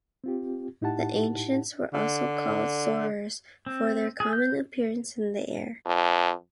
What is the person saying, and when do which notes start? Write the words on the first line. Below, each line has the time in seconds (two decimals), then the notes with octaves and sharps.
The Ancients were also called "Soarers" for their common appearance in the air.
0.24 C4 F4 G4
0.81 A2 D#4 E4 G4 F#5 A5
1.93 D3
3.66 C4
4.20 G#4
4.33 G6
5.86 F2